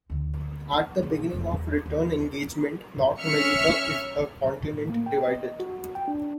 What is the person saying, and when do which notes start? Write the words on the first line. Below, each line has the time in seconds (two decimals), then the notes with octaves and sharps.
At the beginning of "Return Engagement", North America is a continent divided.
0.10 D2 D3
0.73 E3
0.99 A#1 C#4
1.32 F1 C3
1.51 E2
1.86 D#2
3.21 C#4 E5 F6 C#7
4.73 A2
4.90 A#3
5.06 G5
5.30 D#5
5.60 F#4
5.95 G5
6.08 D4